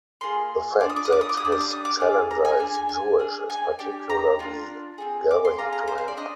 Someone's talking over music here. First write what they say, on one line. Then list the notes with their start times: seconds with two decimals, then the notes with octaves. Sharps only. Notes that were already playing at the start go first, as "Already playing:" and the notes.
The fact that his challenger is Jewish is particularly galling to him.
0.21 A#3 F4 G#4 C6
0.81 D4 F4 G#4 D6
0.89 D#6
0.96 D6
1.05 D#6
1.12 D6
1.21 D#6
1.29 D6
1.37 D#6
1.40 D4 G4 D6
1.52 D#6
1.61 D6
1.71 D#6
1.85 D6
2.00 D4 F4 G#4
2.31 A#5
2.45 G#5
2.59 D4 G#4 G#5
2.75 G#5
2.89 G#5
3.19 D4 G#4
3.50 G#5
3.79 D4 G4 G5
4.10 A#5
4.39 D4 F4 G#4
4.98 C4 D#4 G#4
5.31 D6
5.45 C6
5.58 C4 F4 G#4 A#5
5.73 A#5
5.88 C5
5.98 C5
6.08 D5
6.17 D4 D#5